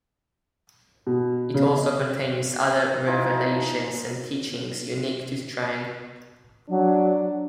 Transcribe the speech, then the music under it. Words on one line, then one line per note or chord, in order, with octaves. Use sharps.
It also contains other revelations and teachings unique to Strang.
B2
C#3
D#5
E3 F3 D#4
F#3 D4